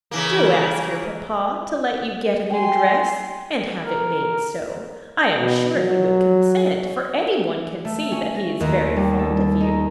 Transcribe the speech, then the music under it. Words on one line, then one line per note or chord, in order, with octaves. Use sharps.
Do ask your papa to let you get a new dress and have it made so; I am sure he would consent, for any one can see that he is very fond of you.
C#3 E3 A#3
G5 G#5 C6
A#4
B2
F#3
A3
C#4
A#6
D#2
G3
A4
D#4